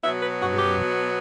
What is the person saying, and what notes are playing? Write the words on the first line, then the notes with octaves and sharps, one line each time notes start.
It really is.
B2 F#3 B3 E5
B4
F#4
G4